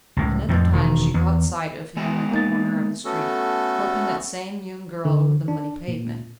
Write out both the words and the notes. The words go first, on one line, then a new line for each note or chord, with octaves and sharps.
Another time she caught sight of him at the corner of the street, helping that same young girl over the muddy pavement.
C#2 A2
F2 A2 F3
E1 D#3
E2
G#3 B3 G#5
A#3 D#4 A6
A3 B3 C#4 F#4 A4
D3
D4
A#2